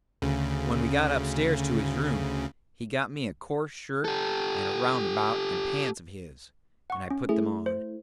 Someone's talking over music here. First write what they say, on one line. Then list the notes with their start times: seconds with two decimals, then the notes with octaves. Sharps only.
When we got up-stairs to his room he got me a coarse shirt and a roundabout and pants of his, and I put them on.
0.22 D2 C#3
4.05 G4 A4
6.90 F#5 C#6
7.10 C#4
7.29 A3 E4 G#4
7.66 C5